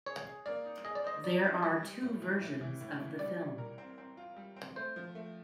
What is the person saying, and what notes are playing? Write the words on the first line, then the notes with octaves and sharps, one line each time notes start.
There are two versions of the film.
G#4 C#5
G#4
A#3 D5
D#4
G#4 D#5
D5
C5 D#5
D#4 D5
C5
G3 D#5
G3
A2
E3
A2
E3
A2
E3
G3 D5
G3
A#4
C4
C4
F4
G3
C4
A3 C5
F3
A3